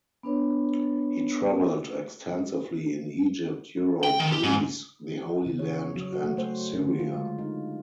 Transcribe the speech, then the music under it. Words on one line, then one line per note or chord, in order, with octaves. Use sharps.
He traveled extensively in Egypt, Europe, Greece, the Holy Land, and Syria.
B3 D4 B4 C#5
G5
D#3
G4
G#2
C#3
C#5
C#5
F#3
F#4
A3
C5
D3
F4
G#3
D#4